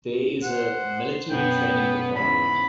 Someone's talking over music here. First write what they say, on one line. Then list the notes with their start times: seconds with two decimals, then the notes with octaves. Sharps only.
There is a "military training department".
0.43 C5 F#5
1.30 F#2 B2 B3 G5
2.16 E2 G#2 C#3 B5